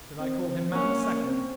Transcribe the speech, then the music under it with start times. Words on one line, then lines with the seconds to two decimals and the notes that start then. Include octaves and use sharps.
Did I call him man the second?
0.19 C4
0.72 A#3 C#4
1.24 C4